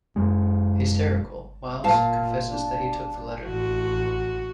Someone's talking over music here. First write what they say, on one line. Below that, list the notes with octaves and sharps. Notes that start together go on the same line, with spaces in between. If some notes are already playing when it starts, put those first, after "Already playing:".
Hysterical, Miles confesses that he took the letter.
F#2 G#3
A#2 F5 A5
D4
A1 F#4